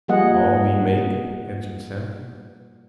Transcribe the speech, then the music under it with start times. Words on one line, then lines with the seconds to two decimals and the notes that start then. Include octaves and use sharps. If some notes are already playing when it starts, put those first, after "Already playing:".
"All we make," answered Sam.
0.08 F3 G3 A#3 G#4 D#5 F#5